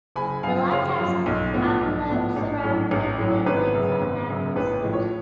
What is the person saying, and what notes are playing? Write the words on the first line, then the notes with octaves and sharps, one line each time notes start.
The lighthouse and the surrounded buildings are now listed.
F#1 G#5 B5
F#2 F3 F5 G#5
F#1 C#5 F5
F#2 F3
B1
A2 F3 B3
B1
A2 F3 B3
A1
A2 F#3 C#4
A1
A2 F#3 C#4
G#1 B4
F#2 C#3
G#1
F#2 C#3
A1 B4
A2 F3
C#5